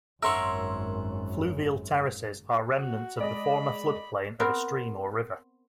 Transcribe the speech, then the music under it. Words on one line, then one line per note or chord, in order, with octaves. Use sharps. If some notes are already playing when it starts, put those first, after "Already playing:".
Fluvial terraces are remnants of the former floodplain of a stream or river.
G#1 F#2 A#4 C#5 E5 F#5 C6 E6
F#4
G#3 D5 D#5 B5
B3 C4 A#4